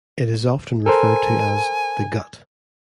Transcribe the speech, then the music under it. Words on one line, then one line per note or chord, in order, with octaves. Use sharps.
It is often referred to as "the gut".
A4 A#4 C5 G#5